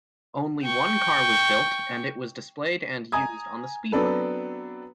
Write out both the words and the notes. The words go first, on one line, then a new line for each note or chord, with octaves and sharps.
Only one car was built and it was displayed and used on the speedway.
G5 C#6
G#5 A#5 D#6 G#6
F#3 B3 C4 D4 A4 B4